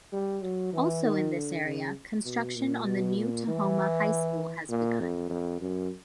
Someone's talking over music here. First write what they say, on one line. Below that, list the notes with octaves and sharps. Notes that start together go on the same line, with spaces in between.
Also in this area, construction on the new Tahoma High School has begun.
G3
F#3
E3
D#3
D3
C#3
B2
A#2
B2
A#2
E3
A#2
F2
F2
F#2